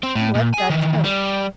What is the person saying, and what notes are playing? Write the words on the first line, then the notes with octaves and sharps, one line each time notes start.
Ooh, I forgot too.
C4
A2
A#2
G#4 G#5
D#3 E3
G3